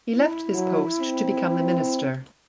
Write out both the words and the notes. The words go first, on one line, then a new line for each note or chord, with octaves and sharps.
He left this post to become the minister.
E4
F#3
C4